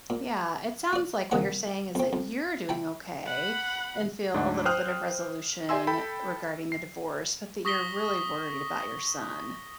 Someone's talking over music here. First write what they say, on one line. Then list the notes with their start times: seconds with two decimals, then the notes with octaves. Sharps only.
Yeah. It sounds like what you're saying is that you're doing okay, and feel a little bit of resolution regarding the divorce, but that you're really worried about your son.
0.10 A#2
0.93 F4 D5
1.31 C2 D#3 E3 A#3 F#5
1.95 F2 C4
2.13 F2
2.69 E4 G5 A5
3.26 F#5 B5
4.34 D2 G#2 D4 D5 F#5
4.65 C5 G5 D#6 F6 F#6
5.69 G4 D5 E5 G#5 C6 E6
5.87 A4 G5 B5
6.72 C7
7.65 C#6 D#6 A#6 B6 G7